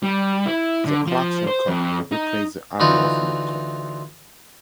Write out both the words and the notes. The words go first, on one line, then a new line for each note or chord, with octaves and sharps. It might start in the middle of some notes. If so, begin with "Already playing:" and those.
The Clarkson Cup replaced the Abby Hoffman Cup.
G3
E4
D3
F3
C5
F2
D#4
D2 E3 D#4 F4 C#6